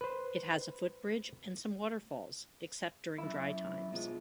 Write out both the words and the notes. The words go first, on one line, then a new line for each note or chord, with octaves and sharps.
It has a footbridge and some waterfalls except during dry times.
B4 C5
F#2 E4
B2 F3 G#3